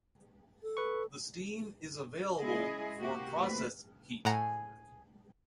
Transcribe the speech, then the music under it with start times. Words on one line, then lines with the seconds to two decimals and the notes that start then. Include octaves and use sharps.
The steam is available for process heat.
0.63 A4
0.77 B4 C#6
2.41 C#3 G#3 E4 G#4 D#5
3.00 C3 A#3 F#4 G4
3.39 D#2 A2 C4 B4
4.25 A2 G#4 F#5 G#5 A#5